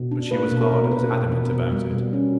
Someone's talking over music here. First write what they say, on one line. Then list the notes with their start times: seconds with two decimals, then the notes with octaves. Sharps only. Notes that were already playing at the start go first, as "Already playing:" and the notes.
But she was hard as adamant about it.
Already playing: B2
0.11 D4
0.31 A#3 B4
0.52 B2
0.61 A#4
0.72 B2
0.91 B2 B4
1.12 B2
1.32 B2
1.53 B2
1.72 G3
1.92 B2
2.13 C#4